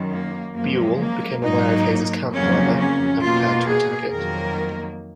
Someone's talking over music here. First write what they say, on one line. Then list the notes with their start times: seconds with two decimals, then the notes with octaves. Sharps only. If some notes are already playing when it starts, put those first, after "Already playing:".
Buel became aware of Hays's camp, however, and prepared to attack it.
Already playing: F#2 D#3
0.11 A#3
0.55 F#2 F3 G#3 A#3
0.99 A#3
1.44 G#2 F#3 A#3 D#4
2.33 F2 C#3 F#3 A#3 C#4
2.78 C#4
3.22 B2 A#3 F4
3.67 G#4
4.11 F2 D#3 F#3 A#3 A#4